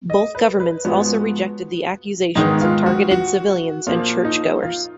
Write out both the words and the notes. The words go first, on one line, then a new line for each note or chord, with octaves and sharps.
Both governments also rejected the accusations of targeted civilians and churchgoers.
D#5
B4
B4
G#2 F3 G#3 B3 F#4
G#2 D#3 G#3 B3 D#4
F4
F#4
F#4
A#2 F3 A#3 F4
D#4
F4